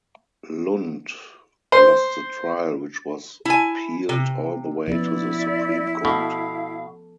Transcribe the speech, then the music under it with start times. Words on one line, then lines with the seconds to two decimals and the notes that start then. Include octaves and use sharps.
Lund lost the trial which was appealed all the way to the Supreme Court.
1.72 C5
3.45 E4 G#5
4.09 C3
4.88 F3 B3 C#4 E4 D5
6.05 B2 A4 F5